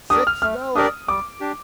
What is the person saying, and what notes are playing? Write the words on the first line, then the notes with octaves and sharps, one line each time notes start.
"Six dollars."
D4 G4 A#4 D5 D#6
F6
A3 F6
D4 G4 A#4 D5 D#6
G3 D6
D4 G4